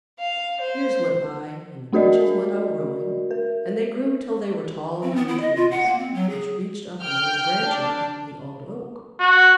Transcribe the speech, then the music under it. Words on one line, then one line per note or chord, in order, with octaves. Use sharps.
Years went by, and the Beeches went on growing, and they grew till they were tall young Trees, which reached up among the branches of the Old Oak.
F5
C5
A3 D4 F#4 A#4 D5 D#5
A#4
C4
B3
E4
D#5
F4
F#5
A#3
C4
F#3
G#4
G5 F6 G6
D4
F#4